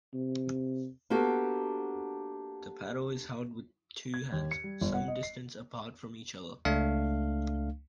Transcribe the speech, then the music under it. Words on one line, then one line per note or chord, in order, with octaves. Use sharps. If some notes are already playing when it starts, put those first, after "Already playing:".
The paddle is held with two hands, some distance apart from each other.
C3
A#3 B3 D4 F#4 G4 A4
G#6
D#2
C#7
G3
G1
F#5
D#5
C7
C#2 A3 D4 F5